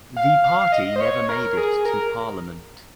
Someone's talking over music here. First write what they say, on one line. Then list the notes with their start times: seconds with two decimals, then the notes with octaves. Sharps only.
The party never made it to parliament.
0.16 F5
0.44 F5
0.61 F5
0.72 D#5
0.96 C5
1.01 C#5
1.29 A#4
1.57 G#4
1.85 A#4